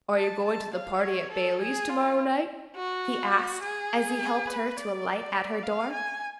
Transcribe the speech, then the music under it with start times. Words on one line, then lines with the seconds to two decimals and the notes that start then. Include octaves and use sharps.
"Are you going to the party at Baileys' tomorrow night?" he asked, as he helped her to alight at her door.
0.17 A5
0.45 A5
0.74 F5
1.03 C#5
1.32 A4
1.61 G#4
1.90 F4
2.76 F#4
3.63 G#4
4.48 B4
4.77 D5
5.63 F5
5.93 G#5